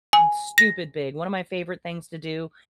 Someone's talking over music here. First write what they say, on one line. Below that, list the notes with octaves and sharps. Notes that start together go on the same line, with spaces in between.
stupid big one of my favorite things to do
G#5
A#6